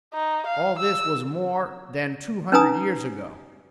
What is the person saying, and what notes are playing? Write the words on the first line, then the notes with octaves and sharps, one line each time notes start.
All this was more than two hundred years ago.
D#4
F5
E6
C#4 D#4 B4 G#5 A#5 D#6